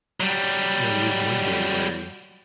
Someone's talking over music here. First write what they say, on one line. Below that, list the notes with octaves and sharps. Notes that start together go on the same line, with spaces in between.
you know, there was one day where he
F#3 G3